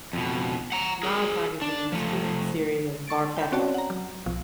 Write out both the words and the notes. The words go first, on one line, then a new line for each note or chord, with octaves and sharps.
"Mad" magazine spoofed the series as "Barfetta".
F2 B2
F#5 A#5
G#4 A#4
D4
F3 A3
A5 C#6 A6 D7
G5 B5 G6
C4 C#4 F#4 C#5 D5 A5
F#5 A#5
F#3
B1 F3